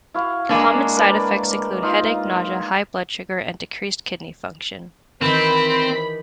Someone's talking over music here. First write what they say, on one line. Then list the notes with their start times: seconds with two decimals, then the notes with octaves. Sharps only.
Common side effects include headache, nausea, high blood sugar, and decreased kidney function.
0.14 E4 F#4 F5
0.49 G#3 A#3 D4 E4
0.96 A#4 B4 D5
1.82 D#4 F4 F5
5.21 D#3 E3 C4 G4 B5